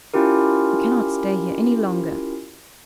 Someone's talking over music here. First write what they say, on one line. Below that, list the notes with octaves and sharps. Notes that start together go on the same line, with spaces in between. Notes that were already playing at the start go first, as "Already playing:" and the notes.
I cannot stay here any longer.
C#4 E4 F4 G4 A#4